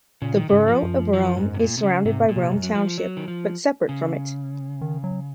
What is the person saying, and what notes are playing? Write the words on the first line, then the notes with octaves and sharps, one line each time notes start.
The borough of Rome is surrounded by Rome Township but separate from it.
A#2 C#3
D#3
G#2 C#3
F3
F#2
F3
G#2
C3
A#2
C3
C#3
G#2 C3
A#2
C3
F#2
F#3
F3
F#3
D#3
F3
C#3
D#3
F#3